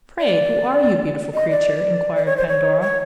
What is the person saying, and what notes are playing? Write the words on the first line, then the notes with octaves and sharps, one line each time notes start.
"Pray, who are you, beautiful creature?" inquired Pandora.
D5
D#5
D5
D5
C#5
C5
C#5
C#5